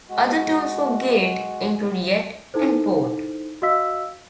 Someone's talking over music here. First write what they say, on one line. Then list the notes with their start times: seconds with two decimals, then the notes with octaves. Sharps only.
Other terms for gate include yett and port.
0.09 G#3 F#4
2.54 D#4 E4 A4 C5
3.62 F#4 D#5 F5 E6 B6